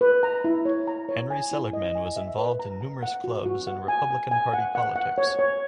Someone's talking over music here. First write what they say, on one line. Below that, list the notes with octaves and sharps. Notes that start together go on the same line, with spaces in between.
Henry Seligman was involved in numerous clubs and Republican Party politics.
B4
A#5
E4
C#5
A#5
C#5
G#5
E4
D#5
G#5
E5
B4
A#5
A#5
F#5
F#4
F#4
F#5
G#5
G#5
G#5
F#5
F#5
F#5
C#5
C#5